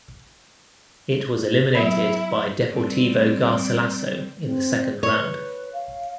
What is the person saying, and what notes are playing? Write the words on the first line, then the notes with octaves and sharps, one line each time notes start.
It was eliminated by Deportivo Garcilaso in the Second Round.
F#3 B3 E4 B5
G3 C4
C4
B4 C#5
F5